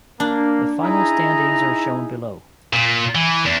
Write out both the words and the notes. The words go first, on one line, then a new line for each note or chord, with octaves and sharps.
The final standings are shown below.
A#3 D4
D#4 E4 G#4 A#5
A#2
E3
E2